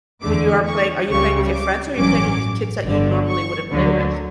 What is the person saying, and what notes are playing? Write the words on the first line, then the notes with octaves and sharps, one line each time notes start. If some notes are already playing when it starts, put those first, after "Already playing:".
when you are playing Are you playing with your friends or are you playing with p kids that you normally wouldn't play with?
E2 D3 A3 D6
C#6
C#2 C#3 G3 C#6
D6
A1 G2 F#3 C#4 D6
G1 G2 D3
C#6
D2 D3 F#3